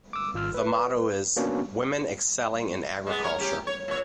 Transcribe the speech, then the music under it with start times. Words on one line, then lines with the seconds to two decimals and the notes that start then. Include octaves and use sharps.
The motto is "Women Excelling in Agriculture".
0.13 D6 E6
0.34 G#1 F4 E6 F6
0.54 B4
1.37 A#3 B3 C#4 D4 F#4
3.07 G#3 B3
3.22 A#4 C#5
3.38 C#4 G4
3.67 C#5
3.88 A#2 C#5